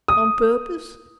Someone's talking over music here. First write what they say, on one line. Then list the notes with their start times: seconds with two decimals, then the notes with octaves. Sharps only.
On purpose.
0.08 D#6